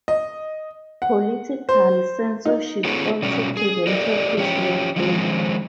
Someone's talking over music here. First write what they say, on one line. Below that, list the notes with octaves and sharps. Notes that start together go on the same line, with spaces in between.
Political censorship also prevented his work there.
D#5
F#5
C5
D#4
B3 C#4 D#4 F4 G#4 A4
B2 F#3 G3 C#4
G#4
G4 A4 A#4 D5 D#5
F3 C#4 G4
D#3 F3 G#3 C4